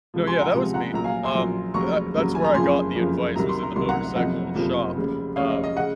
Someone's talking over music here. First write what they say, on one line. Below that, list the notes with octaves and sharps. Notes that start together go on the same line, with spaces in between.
No, yeah, that was me, um, the that's where I got the advice was in the motorcycle shop, um
C#2 C3 F3
G#5 C6
F#5 A#5
C#2 C3 F3
F#5 A#5
A#1 A#2 F#3 A#5
F5 G#5
G#5 C6
A#1 A#2 F#3
F1 D#2 C#3 F#3 A#5 C#6
F1 D#2 C#3 F#3
G#5
A#5
F#1 F2 C#3 F3 G#5 C6
F#1 F2 C#3 F3
C2 C3 D#3 F#3 A#5
C6
A#5
C2 C3 D#3 F#3 C6
F#5 A#5
F#1 F2 C3 F3 D#5 F#5
F#1 F2 C3 F3
F1 D#2 C#3
F1 D#2 C#3 C#5 F5
D#5
D#5
C#3 D#5 F#5